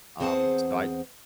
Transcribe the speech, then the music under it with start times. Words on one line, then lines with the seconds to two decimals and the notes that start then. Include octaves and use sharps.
um, so I
0.20 E2 C4 G#4 C5 F#5 A5